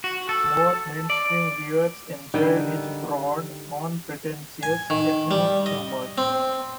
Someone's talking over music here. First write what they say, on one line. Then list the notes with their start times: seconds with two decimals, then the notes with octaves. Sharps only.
More mainstream viewers enjoyed his broad, unpretentious ethnic humor.
0.04 F#4
0.29 A4
1.10 D5
2.34 D3 D#3 G3 D#4
4.63 G#5
4.90 D#3
5.31 G3
5.66 D#5
6.18 C4